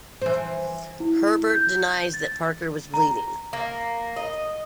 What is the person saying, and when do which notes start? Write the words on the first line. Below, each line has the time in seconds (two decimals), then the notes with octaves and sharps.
Hebrard denies that Parker was bleeding.
0.22 E3 C5
1.00 E4
1.50 G6
2.14 A6
2.94 A#5
3.53 A#3
4.16 D#5